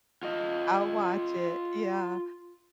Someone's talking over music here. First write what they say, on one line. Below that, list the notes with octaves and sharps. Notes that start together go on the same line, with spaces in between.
I'll watch it, yeah.
F4 D#5